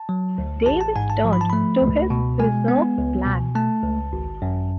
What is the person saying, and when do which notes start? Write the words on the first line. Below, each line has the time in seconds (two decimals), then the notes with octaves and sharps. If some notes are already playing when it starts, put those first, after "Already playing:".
Davis turned to his reserve plan.
Already playing: A5
0.09 F#3
0.38 D2
0.66 A1 A5
0.81 A5
0.96 G#2 G#5
1.10 A5
1.25 F3
1.33 B5
1.41 A5
1.50 A3 B5
1.82 C#2
2.10 B2
2.39 G#3 G#5
2.68 B3
2.98 C#2
3.26 B2
3.55 A3 A5
3.83 C#2
4.13 G#1
4.42 F#2